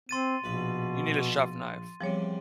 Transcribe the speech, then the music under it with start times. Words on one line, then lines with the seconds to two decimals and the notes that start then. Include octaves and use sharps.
You need a chef knife.
0.09 C4 C6 A6 D#7
0.44 A#1 B2 B4
2.01 E2 C3 F3 G3 C#5